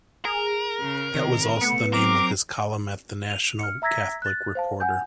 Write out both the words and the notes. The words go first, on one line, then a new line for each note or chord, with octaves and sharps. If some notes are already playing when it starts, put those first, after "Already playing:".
That was also the name of his column at the "National Catholic Reporter".
G#4 A#4
C#3
C3 D#3
A3 B3 C#7
F#3 C4 A#4 D6
F7
F6 C#7
E5 A#5 E6 G#6 A#6 B6
F#6 A6
C5 F5 A5
F#5 G#5 G6